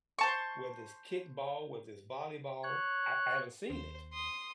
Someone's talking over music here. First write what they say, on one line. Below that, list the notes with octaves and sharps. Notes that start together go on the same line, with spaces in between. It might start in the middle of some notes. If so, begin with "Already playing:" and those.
whether it's kickball, whether it's volleyball, I I haven't seen it.
C5 A5 C#6
C#5 F#6
D#2 C5
C6 D#6